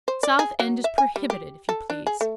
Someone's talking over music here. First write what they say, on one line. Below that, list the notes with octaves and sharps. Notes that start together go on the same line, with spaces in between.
South End is prohibited, if you please.
C5
D5
G#4
F#3
E5
G#5
G3
G4
A4
D4
G#4
A3